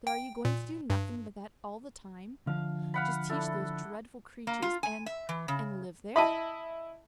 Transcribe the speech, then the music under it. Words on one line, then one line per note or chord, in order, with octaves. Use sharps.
"But are you going to do nothing but that all the time--just teach those dreadful creatures, and--and live there?"
G5
A#2
G2
D3 F3 F5
F5 F#5 B5
D4 E4 A4
A#3
F4
G#5
E5
E3
C#3
E4 D#5 E5 A5 B5